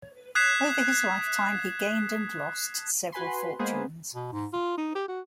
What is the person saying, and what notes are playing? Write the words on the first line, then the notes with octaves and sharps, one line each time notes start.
Over his lifetime he gained and lost several fortunes.
D#6 F#6 G#6 B6 C7 E7
F#4 B4 G#5 B5 C6
G#3 A#3 B3 G#4 B4 C5
B2
G#2
F4
D#4
G4
F#4